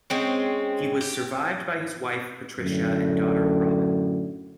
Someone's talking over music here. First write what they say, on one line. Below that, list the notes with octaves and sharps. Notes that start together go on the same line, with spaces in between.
He was survived by his wife Patricia and daughter Robin.
G#3 C4 C#4
G4
F#2 A2 D3